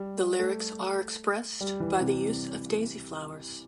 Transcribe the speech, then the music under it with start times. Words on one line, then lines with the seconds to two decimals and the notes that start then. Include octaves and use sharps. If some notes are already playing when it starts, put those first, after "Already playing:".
The lyrics are expressed by the use of daisy flowers.
Already playing: G3
0.39 A3
1.61 G3
1.80 E3
2.00 C3